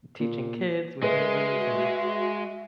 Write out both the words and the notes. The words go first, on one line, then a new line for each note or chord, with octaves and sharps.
teaching kids with movies and
A#2
G#3 G#4 A#4 B4 D5 E5 C6
F#4